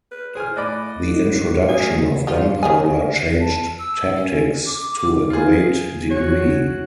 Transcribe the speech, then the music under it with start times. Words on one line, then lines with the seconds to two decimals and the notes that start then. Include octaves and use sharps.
The introduction of gunpowder changed tactics to a great degree.
0.12 B4
0.35 G#4 C5 G#5 F6
0.56 A2 D5 D#5 B5 D6 F#6
1.69 A1 F#4 G#5 D#6
2.27 G3 F4
2.63 C#3 G#4 G#5
3.40 A5
3.79 E6
4.15 C#4
4.66 D6
4.96 D6
5.30 F4 G#4
6.10 F#4 C#5